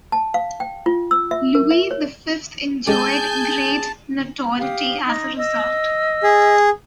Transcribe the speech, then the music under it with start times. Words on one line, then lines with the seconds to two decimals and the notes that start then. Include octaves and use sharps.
Louis the Fifth enjoyed great notoriety as a result.
0.12 A5
0.34 F5
0.60 G5
0.86 F4
1.11 E6
1.31 E5
1.55 A#4
1.71 E5
1.91 C#5
2.87 G#3 G4 G#4 G#5 A5 G6
4.58 G4 F5 D#6
5.03 D#4
5.38 D#5 E6
6.23 G#4